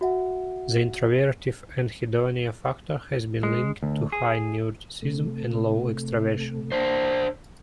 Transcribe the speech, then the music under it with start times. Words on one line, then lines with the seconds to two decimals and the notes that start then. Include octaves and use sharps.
The introvertive anhedonia factor has been linked to high neuroticism and low extraversion.
0.01 F#4 E5 F#5
3.43 G#3
3.83 D2
4.12 G#4
5.02 C3 A3
6.72 D4 C5